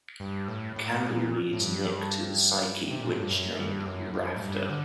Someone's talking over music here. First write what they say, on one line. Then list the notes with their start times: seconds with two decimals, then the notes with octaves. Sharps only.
Candle leads Nick to the Psyche witch named Rafter.
0.20 G2
0.48 A2
0.76 A2
1.04 A#2
1.53 A2
1.61 G2
2.91 C3
3.01 A#2
3.10 A2
3.20 G2
3.30 F#2
3.58 G2
3.86 F#2
4.14 F#2
4.36 A2
4.42 G2
4.70 D3